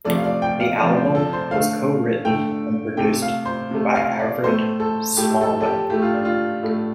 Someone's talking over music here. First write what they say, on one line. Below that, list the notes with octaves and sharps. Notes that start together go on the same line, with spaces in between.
The album was co-written and produced by Arvid Solvang.
C3 F3 A3 D5
F5
D5
G5
F5
C3 F3 A3 D5
C5
A4
C5
D3 A3 F5
D3 A3 G5
C3 A3 G5
F5
C5
C3 A3
F5
D5
A2 A3 C5
A4
A2 A3 G4
A4
A4
G4
A2 A3 G4
F4
D4
F4
A2 A3